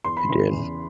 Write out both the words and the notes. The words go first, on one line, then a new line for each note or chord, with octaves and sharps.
It did,
E2 C6
B5
C#3 E3 C6
E2